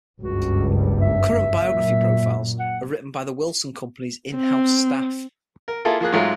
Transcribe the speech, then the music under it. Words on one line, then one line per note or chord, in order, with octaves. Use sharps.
"Current Biography" profiles are written by the Wilson Company's in-house staff.
F#1 C#2 G2 F#4
E5
F#2 A#2
F#5
C4
A#4
A#3 E4 F4 G#4 A4
F3 A#3 G#4 F#6
G#2 F#3 G#3 A3 F4